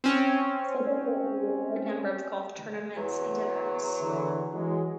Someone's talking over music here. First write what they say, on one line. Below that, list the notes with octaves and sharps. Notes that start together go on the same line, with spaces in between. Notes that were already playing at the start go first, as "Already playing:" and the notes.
Scheduled throughout the year are a number of golf tournaments and dinners.
C4 C#4
E2 F#3
D3 E3
E3 F#3 G#3